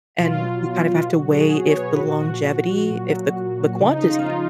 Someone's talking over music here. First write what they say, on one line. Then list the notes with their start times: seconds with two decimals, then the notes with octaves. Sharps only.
and, you kinda have to weigh if the longevity, if the q the quantity,
0.19 B2 F#3 F4
1.09 B2 F#3 F#4
1.31 G#4
1.54 C#5
1.77 B4
1.99 A#2 F3 F#4
2.91 A#2 F#3
3.80 C#3 F3 D#4
4.02 D#4
4.10 F4